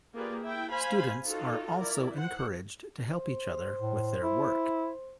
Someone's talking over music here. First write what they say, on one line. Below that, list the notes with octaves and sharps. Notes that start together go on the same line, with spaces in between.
Students are also encouraged to help each other with their work.
A#3 F4 G4 G#4 B4 D5
E4 E5 G5
C5 F5 G#5 B5
D#4 F4 F#4 A4
E4 A#4 D5
C5 F#5
C5
A2
E4